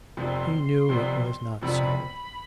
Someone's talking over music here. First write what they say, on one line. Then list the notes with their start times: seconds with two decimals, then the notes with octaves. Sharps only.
He knew it was not so.
0.17 F1 F2 C3 G3 B3 C6
0.89 F1 F2 C3 G3 B3
1.62 F1 F2 C3 G3 B3 B5